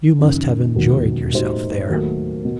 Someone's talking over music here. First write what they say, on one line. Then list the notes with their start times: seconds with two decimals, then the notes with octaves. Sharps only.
You must have enjoyed yourself there.'
0.19 F#1 F#2 D#3
0.75 E1 D#2 D#3 F#3
1.32 A2 G3 D#4 F#4 C5
1.89 D#2 D#3 F#3 A3
2.45 B2